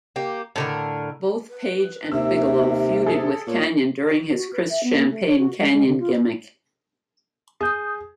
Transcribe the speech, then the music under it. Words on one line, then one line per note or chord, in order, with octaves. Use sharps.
Both Page and Bigelow feuded with Kanyon during his Chris "Champagne" Kanyon gimmick.
A#3 G4
A2 D3 A#4
B4
D#2 C3 E5 E6
G#4 A4
A#2 C#5
F#4
B4
E5
B3
A#3
A3
C#5
F#4
G#3
G#3
D3
F4
G#4 D#6 G6